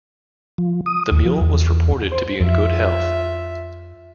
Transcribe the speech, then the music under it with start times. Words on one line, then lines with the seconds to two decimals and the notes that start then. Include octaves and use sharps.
The mule was reported to be in good health.
0.58 F3
0.86 D#6
1.11 D#2
1.25 F3
1.41 E2
2.12 C5
2.40 F2 F4 E5